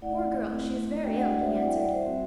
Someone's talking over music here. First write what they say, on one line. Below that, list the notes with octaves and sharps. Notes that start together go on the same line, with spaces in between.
"Poor girl, she is very ill," he answered.
A3 E4 D5 F#5
A3 C4 E4
A3 D4 F#4 G5
D5 F#5
D5 F#5
C5 E5
G3 C4 E4 D5 F#5
E5 G5
D5 F#5
C5 E5
G3 C4 F#4